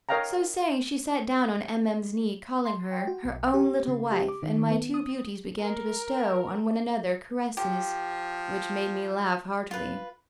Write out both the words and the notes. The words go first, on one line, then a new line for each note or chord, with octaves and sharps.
So saying, she sat down on M---- M----'s knee, calling her her own little wife, and my two beauties began to bestow on one another caresses which made me laugh heartily.
A#4 C#5 D#5 F5 G5 A#5
C6
G5
F#4
B1
G4
C#3
G4
D6
D#3
B3
D#6
A#4
F3 G4
F4 B4